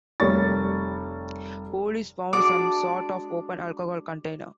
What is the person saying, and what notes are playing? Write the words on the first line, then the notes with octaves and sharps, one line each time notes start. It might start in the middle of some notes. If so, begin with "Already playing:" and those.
Police found some sort of open alcohol container.
F1 G3 A#4 C#5 C#6 A6
G#3 D4 F#4 D6